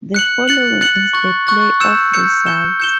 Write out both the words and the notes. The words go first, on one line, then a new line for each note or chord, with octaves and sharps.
The following is the playoff results.
F#6 C#7 F#7
F#6 A6 C#7 F#7
F#6 A6 C#7 F#7
C#6 F#6 A6
C#6 F#6 A6
E6 G6 C#7 E7
E6 G6 C#7 E7
G6 C#7 E7 G7
G6 C#7 E7 G7